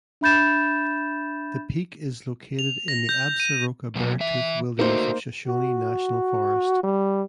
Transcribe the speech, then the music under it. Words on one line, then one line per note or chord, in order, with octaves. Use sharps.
The peak is located in the Absaroka–Beartooth Wilderness of Shoshone National Forest.
D4 E5 B5 G6 A6 E7
F7
A#6
G6
D#7
B2 F#3 A#3
E3 E5
A3 A#3 D#4 F#4 C5
F#4
G3